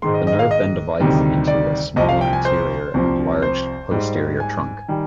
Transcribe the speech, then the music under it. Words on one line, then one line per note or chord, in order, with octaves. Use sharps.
The nerve then divides into a small anterior and large posterior trunk.
G#2 D#3 G#3 C6
D#5
D#5
F5
D#5
D2 C3 D#3 G3
D5
C2 C3 F3 D#5
F5
G5
G#5
C5
C2 C3 F3
C5
G#2 G3
G#5
D#3 G3